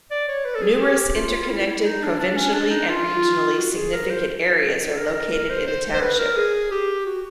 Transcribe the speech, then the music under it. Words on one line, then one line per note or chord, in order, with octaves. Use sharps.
Numerous interconnected provincially and regionally significant areas are located in the township.
D5
C#5
B4
A4
G#4
G4
F4
F4
E4
E4
D#4
D4
D4
C#4
D4
D#4
F4
F#4
G#4
A#4
C5
A4
A#4
A#4
A#4
C5
C5
C5
B4
A#4
G#4
G4
F#4